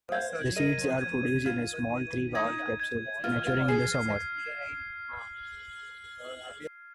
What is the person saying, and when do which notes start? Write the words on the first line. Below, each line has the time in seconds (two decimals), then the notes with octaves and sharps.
The seeds are produced in a small, three-valved capsule, maturing in summer.
0.12 C5 F5 G#6
0.56 A#4 D#5 D#7
1.01 G#6
1.45 F4 G#6
1.90 D#7
2.35 D#4 G#6
2.80 G#6
3.24 F4 F6
3.47 F4
3.68 G#4 C7